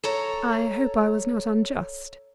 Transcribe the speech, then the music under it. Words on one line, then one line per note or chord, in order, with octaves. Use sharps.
"I hope I was not unjust."
A4 C#5 A#5